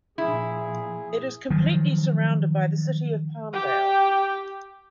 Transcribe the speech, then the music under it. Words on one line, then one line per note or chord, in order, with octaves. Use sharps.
It is completely surrounded by the City of Palmdale.
A#2 F3 E4 G#4
D#3 F3 F#3
G4 G5